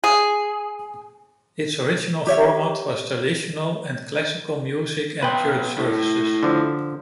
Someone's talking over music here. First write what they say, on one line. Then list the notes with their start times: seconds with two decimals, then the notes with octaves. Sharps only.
Its original format was traditional and classical music and church services.
0.04 G#4
2.27 G4 C#5 E5
5.23 B2 B4 G5 C6
5.78 E4 A4
6.43 D3 F3